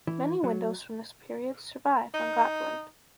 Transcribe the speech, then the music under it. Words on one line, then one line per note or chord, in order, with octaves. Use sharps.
Many windows from this period survive on Gotland.
E3
F#3
D#4